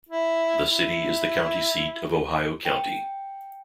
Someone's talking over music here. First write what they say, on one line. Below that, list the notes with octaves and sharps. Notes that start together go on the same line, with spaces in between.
The city is the county seat of Ohio County.
E4
E4
G5